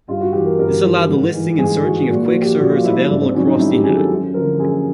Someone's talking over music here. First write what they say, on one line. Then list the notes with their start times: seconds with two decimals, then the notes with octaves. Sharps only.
This allowed the listing and searching of Quake servers available across the Internet.
0.08 G2 F4
0.21 F#4
0.33 E3 G4
0.45 A#4
0.59 G2 A#4
0.84 E3
1.09 G#2
1.34 E3
1.59 G#2 G#4
1.83 E3 F#4
2.09 A#2 F#4
2.25 F#4
2.34 F3
2.42 G4
2.59 A#2 F#4
2.71 F4
2.83 F3 E4
3.09 G#2 D4
3.22 C4
3.34 D#3 F#3 C#4
3.47 D#4
3.59 G#2 E4
3.71 G4
3.84 D#3 F#3 G#4
3.96 A4
4.09 F#2
4.34 D3 F3 A#4
4.59 F#2 G#4